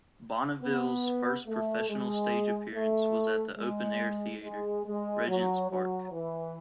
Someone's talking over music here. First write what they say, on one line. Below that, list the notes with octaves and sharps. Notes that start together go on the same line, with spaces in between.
Bonneville's first professional stage appearance was at the Open Air Theatre, Regent's Park.
B3
A3
G#3
A3
G#3
G#3
G#3
F#3
F#3
E3